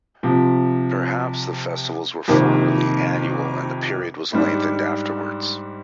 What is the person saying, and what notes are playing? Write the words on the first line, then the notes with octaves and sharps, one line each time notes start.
Perhaps the festivals were formerly annual and the period was lengthened afterwards.
C3 F3 C4
F2 C3 D#3 A#3
G#2 G3 D4